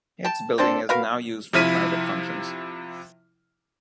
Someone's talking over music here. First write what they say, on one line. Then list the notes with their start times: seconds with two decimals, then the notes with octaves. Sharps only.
Its building is now used for private functions.
0.25 G5 A5
0.58 A#3 C4 D4 A4
0.89 F#4 A#4 B4 F5
1.53 C3 F3 E4 F6 B6 D#7